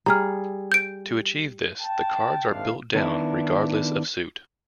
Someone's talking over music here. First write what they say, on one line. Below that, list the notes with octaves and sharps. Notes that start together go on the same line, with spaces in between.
To achieve this, the cards are built down regardless of suit.
G3 G#4 A#5 F6
G6 D7
G5 A5
G#1 D#2 C3 F3 D4 F5
D#3 B3 D4 E4